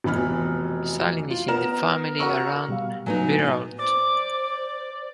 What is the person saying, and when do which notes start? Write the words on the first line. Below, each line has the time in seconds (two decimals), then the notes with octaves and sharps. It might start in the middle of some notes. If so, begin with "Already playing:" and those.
Sailing is in the family around Breault.
0.04 F1 B2 E3 B5 F6
1.30 F4
1.48 B3 A#4 E7
2.19 F#4 A#4 C#6 E6
2.69 B2 G3 F5
3.06 A2 F#3 B3 D#4 G#5
3.39 B3
3.79 C5 D5 D6